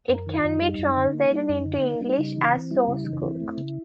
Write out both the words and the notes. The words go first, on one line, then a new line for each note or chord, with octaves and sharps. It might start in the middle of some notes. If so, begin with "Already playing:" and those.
It can be translated into English as "sauce cook".
F#2
A#4
D#3
F4
F#2
G3 D#4
F#2
D3
A#3
G3
F#2
D3
A#3
G3
C#3
E3
C4
G3 E4
C#3 E4
E3 D#4
C4 E4
A3
C#3